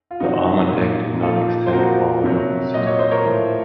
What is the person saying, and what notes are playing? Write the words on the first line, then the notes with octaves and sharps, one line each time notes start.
The armor deck did not extend forward of the citadel.
F4
C3 F#3 D#4 F#4
A#2 F3
A#2 F3 F4 A4
C5
A#2 F3 F#4 A#4
C3 F#3
A#2 F#3 D#5
C#5
C5
A#4 C#5
A2 F3